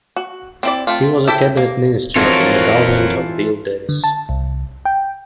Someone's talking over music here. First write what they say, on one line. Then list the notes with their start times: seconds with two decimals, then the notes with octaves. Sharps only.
He was a cabinet minister in the government of Bill Davis.
0.16 F#4
0.63 C4 E4 D5
0.87 A3 C4 F4
1.28 E4 G4 A4 C5 E5
1.57 A#3
2.16 F2 E3 F#3 C4 F4 A4 A#4 C#5
3.89 D3
4.04 A5
4.29 C2
4.85 G5